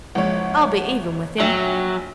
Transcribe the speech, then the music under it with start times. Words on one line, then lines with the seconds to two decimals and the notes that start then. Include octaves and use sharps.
I'll be even with him.
0.15 F#1 F3 G#3 C#5 F#5
1.40 A#1 F#3 E5 G5 G#5